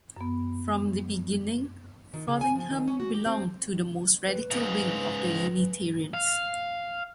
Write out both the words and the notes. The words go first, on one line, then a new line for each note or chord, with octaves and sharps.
From the beginning, Frothingham belonged to the most radical wing of the Unitarians.
F#2 B3
D#3
C#3
G#5
F3
D#3
C#4
F#4
G4
C4
B4
G#2 C#3
F5